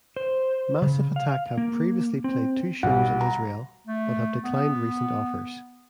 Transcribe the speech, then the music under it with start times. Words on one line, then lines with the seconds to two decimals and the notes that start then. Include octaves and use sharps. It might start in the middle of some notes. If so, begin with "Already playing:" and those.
Massive Attack have previously played two shows in Israel, but have declined recent offers.
0.17 C5
0.82 C#3
1.16 F5
1.58 A#3
2.24 C4
2.83 B1 G3 F#5
3.21 A#5
3.87 A3
4.44 B3